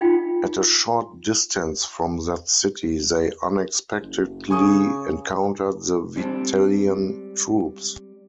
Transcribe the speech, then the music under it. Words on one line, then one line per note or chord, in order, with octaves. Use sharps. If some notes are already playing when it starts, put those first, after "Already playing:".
At a short distance from that city they unexpectedly encountered the Vitellian troops.
D#4 F4 G5
F#1
C#3 G#5 C#6 D#6
G3 G#3 C4 D4